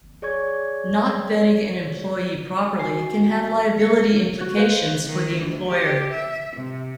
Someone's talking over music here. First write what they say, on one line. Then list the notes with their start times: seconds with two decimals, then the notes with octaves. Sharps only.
Not vetting an employee properly can have liability implications for the employer.
0.22 G#4 C#5 D5 C#6 G#6
2.76 F#4 G#5 C7
3.76 G3 C#7
4.40 F#4
4.57 B4 C5 F5
5.06 D#3
5.39 D2
5.68 G4
6.12 E5
6.57 C3